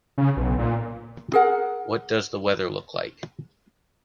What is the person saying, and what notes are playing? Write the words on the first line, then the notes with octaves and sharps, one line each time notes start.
What does the weather look like?
C#3
B1
A#2
G#4 A#4 F#5